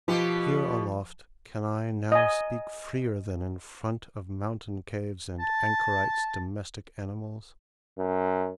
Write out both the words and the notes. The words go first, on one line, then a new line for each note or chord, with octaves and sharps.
Here aloft can I now speak freer than in front of mountain-caves and anchorites' domestic animals.
B2 F3 B3 G4
D#5 G#5
A5
F#2